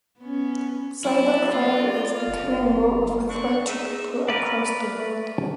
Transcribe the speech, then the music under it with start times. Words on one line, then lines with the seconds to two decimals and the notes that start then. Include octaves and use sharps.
Cyber-crime is becoming more of a threat to people across the world.
0.19 B3 C#4
1.04 F#3 E4 D5
1.53 A#3 F4
2.27 F#1
3.28 C4 D4 C#6
3.67 D#4 G#4 E5
4.29 A#4 B4 D5